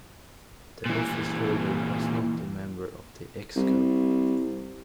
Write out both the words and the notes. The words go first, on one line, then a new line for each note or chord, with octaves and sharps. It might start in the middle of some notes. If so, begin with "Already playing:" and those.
The office holder was not a member of the ExCo.
A#2 E3
C2